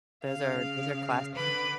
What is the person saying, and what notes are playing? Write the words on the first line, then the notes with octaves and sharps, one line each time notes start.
Those are those are classics.
C#3 F5
D3 B4 B5 D6